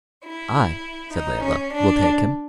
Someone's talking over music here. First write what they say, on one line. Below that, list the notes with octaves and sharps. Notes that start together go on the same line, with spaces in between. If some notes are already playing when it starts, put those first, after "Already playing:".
"I," said Layelah, "will take him."
E4
D#4
C#4
D4